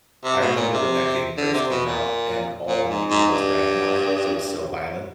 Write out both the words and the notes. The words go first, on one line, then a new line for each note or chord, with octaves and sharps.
I remember when that game first came out and all the media was ragging on it 'cause it was so violent.
C3
B2
A#2
C3
D3
C3
B2
A#2
A#2
G#2
G#2
G2